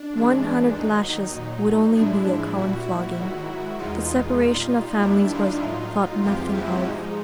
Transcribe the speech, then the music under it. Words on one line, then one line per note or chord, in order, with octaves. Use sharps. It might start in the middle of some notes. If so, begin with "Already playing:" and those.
"One hundred lashes would only be a common flogging." The separation of families was thought nothing of.
Already playing: D4
G2 E3 G#3
D#2 D#3 F#3 D#4
A#2 F#3
A2 F3 G#3 D4 E4
D4 E4
A#2 G3 E4 F#4
G#2 D#3 F#3
E2 B2 G#3 D#4 F4
A#2 G3
D#2 D#3 G3 D4 E4
D#4 F4
A2 F#3
E2 C3 F3 G#3 F4 G4
E4 F#4
G#2 F3 G#3 D#4